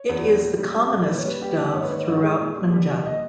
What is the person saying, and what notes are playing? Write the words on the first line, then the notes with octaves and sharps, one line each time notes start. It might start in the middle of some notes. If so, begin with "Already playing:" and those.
It is the commonest dove throughout Punjab.
Already playing: C#5
E2
G3
A#2
G3
G3
A#2
A#2 B4
C#5
G3 B4
G3 G4
A#2
G#2 C#5
B4
D#3 C#5
G#2
G#3
A#2
G3
G3
A#2
D#5